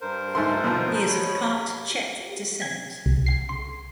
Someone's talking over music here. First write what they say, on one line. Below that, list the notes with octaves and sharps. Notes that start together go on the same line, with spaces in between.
He is of part Czech descent.
G2 A#4 C5
G#2 A3 C6
B2 F3
C#5 B5
G#6
C2
C7
C6